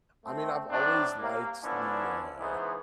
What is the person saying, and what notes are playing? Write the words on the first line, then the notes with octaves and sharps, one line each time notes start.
I mean, I've always liked the, uh
A3 C4
A2 F#3 C4 D4
C2 A#3
D3 F3 B3 C#4 D4 E4
C#2 G#2 E3 B3 G#4 C5